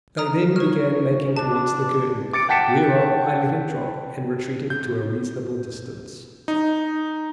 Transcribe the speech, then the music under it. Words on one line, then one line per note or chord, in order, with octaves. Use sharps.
They then began making towards the curtain; whereon I let it drop and retreated to a reasonable distance.
A#5 D#6 F6
B4 C#5 F6
D4 A5
D6 A6 C#7 D7
F#5 G5 A5 B6 C#7 E7
G6
D#4